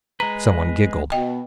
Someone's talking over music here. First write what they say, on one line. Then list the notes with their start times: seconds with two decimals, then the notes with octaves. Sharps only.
Some one giggled.
0.20 G#3 B4 A#5
1.12 B2 D#5 G5